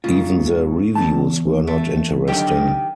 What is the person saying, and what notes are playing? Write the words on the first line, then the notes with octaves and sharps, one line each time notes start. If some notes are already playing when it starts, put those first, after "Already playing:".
Even the reviews were not interesting.
G#2 C#3 F4
E2 A5
A3
D3 D#3 F#3 G4 G5